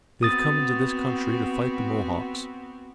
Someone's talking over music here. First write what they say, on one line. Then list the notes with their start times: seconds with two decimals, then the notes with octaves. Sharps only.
They have come into this country to fight the Mohawks.
0.23 B3 C4 F#4 D#6 A6